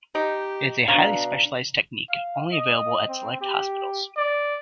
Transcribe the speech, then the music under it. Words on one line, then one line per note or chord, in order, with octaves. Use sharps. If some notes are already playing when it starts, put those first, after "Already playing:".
It is a highly specialized technique only available at select hospitals.
D#4 G4
B2 D4 F5 A#5
F5
D#5
C4
G4
D5